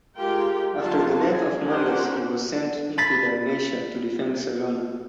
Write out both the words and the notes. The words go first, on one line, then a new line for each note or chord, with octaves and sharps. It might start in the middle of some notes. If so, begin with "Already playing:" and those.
After the death of Mundus he was sent into Dalmatia to defend Salona.
G#3 F4 G4 A#4 G5
D3 D#3 F#3 F4 F#4 A5
G#4
C#4 D4 G4 A#4 C5 F#5
B5 A6 B6